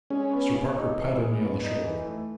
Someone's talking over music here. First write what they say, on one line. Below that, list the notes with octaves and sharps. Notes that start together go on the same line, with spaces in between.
Mr. Parker patted me on the shoulder.
G#3 C#4
B3
C#3
D#4
E3
G#4
B3
D#4
E3
A3